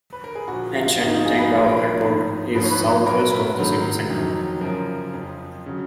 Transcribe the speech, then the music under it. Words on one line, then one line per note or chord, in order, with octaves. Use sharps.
Anshan Teng'ao Airport is south west of the city centre.
B4
A#4
G#4
A#2 F3 F#4
F4
G#2 F3 F#4
D#4
F4
G#4
B4
A#2 F3 G#4
A#4
B4
G#2 F3
G#2 F3 B4
C#5
B4
B4
A#2 F#3 A#4
B4
G#2 D#3 F#3
F2 D#3 F#3
F#2 C#3 F3 A#4
F2 F3
C#3 F#3